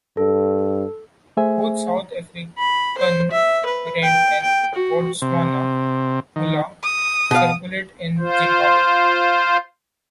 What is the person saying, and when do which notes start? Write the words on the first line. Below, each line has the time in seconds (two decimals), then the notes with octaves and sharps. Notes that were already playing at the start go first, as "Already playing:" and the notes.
Both South African rand and Botswana pula circulate in Zimbabwe.
0.17 G2 A4
1.37 A3 G#4 C5 E5 G#5
2.59 B5
2.98 C5
3.31 E5
3.66 B4
4.03 G5
4.42 G5
4.75 F#4
5.22 C3
6.36 D#3
6.83 D#6
7.31 B2 F5
8.19 F4 C5